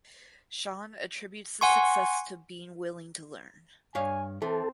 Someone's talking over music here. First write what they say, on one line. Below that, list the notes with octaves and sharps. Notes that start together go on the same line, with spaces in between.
Shawn attributes the success to being willing to learn.
F#5 G#5 C6 C#6
G2 C#5 F5 G#5
E3 C4 A4